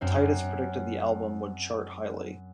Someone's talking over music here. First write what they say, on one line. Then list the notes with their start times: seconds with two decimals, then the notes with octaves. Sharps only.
Titus predicted the album would chart highly.
0.01 F#2 C4 C5